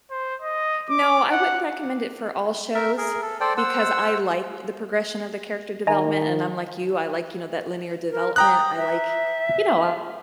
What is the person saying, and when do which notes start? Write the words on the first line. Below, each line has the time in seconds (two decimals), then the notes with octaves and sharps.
No, I wouldn't recommend it for all shows because I like the progression of the character development, and I'm like you, I like, you know, that linear development, I like, you know,
0.11 C5
0.42 D#5
0.89 D6
1.31 F#5
2.74 A#4 E5
2.98 G#4 A#4
3.22 A4
3.40 A4 C5 D5 G5
3.57 C5 F#5 E6
5.87 D#3 D#5 G#5 A#5
8.11 A#4
8.36 G5 A#5 D#6 F#6
8.77 E5